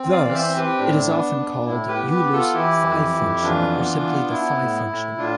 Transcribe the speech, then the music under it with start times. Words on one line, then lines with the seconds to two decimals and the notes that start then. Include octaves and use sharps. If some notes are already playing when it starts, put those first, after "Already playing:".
Thus, it is often called Euler's phi function or simply the phi function.
Already playing: C4
0.12 D5 F5
0.19 E3
0.29 F5
0.34 C5 E5
0.48 C4
0.57 G4 B4
0.78 A2 D4
1.07 B3
1.37 B3
1.66 A2 E4
1.88 G4 B4
1.96 B3
2.10 G4 B4
2.24 B3
2.32 F4 A4
2.54 E3 E4 G4
2.83 F2
3.13 F2
3.41 E3 D4 F4
3.71 B3
4.01 B3
4.29 B3 E4
4.60 A2
4.88 A2
5.18 A2 D4 F4